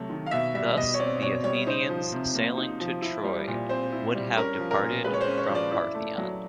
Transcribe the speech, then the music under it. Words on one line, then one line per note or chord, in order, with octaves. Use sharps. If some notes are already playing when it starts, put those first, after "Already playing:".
Thus the Athenians sailing to Troy would have departed from Phaleron.
Already playing: C3 F#3 A3
D#3
F5
B2 E5
G3 E5
B2 D#5
C#5
C4 D5
B2 C#5
G3 C#5
D#4 C5
F3
C3
A#3
D#4
F3
E4
G3
A#2
C4 C5
E4
G3
C#4 A#4
F3
A#4
A#2
G#3 B4
C#5
C5
C#4
C#5
F3
D5
E4 D5
A3
F#3